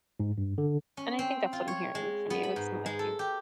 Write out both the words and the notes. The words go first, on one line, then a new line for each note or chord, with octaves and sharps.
and I think that's what I'm hearing from you, it's not like you
G#2
G2
D3
C#4
C4
F4
C#5
G#3
B3
B5
G#2
G#3
A4
G4